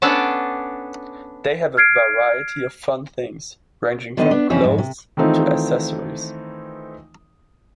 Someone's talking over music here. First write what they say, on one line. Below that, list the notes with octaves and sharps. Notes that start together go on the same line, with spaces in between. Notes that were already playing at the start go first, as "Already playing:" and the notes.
They have a variety of fun things, ranging from clothes to accessories.
B3 C#4 D4 A4 D5
F6 G#6 C7 D7
D3 D#3 B3 C5 D#5
B3 D4
F2 E3 C4 C#4
F2 G#2
C3
D#3 E3 A3 C4 D#4 F4